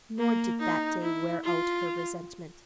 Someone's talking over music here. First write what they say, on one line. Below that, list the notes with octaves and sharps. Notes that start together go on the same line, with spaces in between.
Nor did that day wear out her resentment.
A#3
D#4
E4
F4